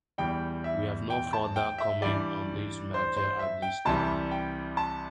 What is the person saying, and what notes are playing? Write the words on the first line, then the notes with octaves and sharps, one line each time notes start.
We have no further comment on this matter at this time.
E2 E3 G3 G5
E5
G5
A5
G5
E5
G2 E3 G3 D5
C5
C5
E5
G5
C2 C3 E3 G3 A5
G5
A5